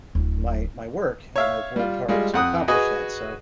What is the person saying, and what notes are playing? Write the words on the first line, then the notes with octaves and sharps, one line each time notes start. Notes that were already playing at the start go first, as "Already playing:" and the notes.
my my work and I've worked hard to accomplish that so,
D1 F#3
C#5 E5 F5
G3 F4
G3 G#3 F4
F2 F#5 D#6
F#4 G#4 B4 D#5 G#5